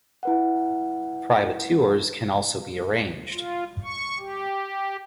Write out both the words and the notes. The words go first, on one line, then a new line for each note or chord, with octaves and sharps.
Private tours can also be arranged.
E4 B4 F#5
F4
C#6
G4